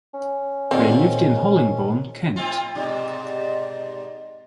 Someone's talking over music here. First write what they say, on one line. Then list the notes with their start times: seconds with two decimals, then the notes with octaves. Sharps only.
They lived in Hollingbourne, Kent.
0.14 C#4
0.71 A#1 D#3 C4 F4 F#4 D5
2.36 A2 C4 F4
2.75 G#2 B2 G4 D5 D#5